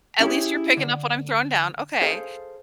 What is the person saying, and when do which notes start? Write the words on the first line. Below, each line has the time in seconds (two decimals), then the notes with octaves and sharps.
at least you're picking up what I'm throwing down, okay.
0.20 C#4 E4 G4 G#4
0.77 D3
2.02 G#4 A4 C5 F5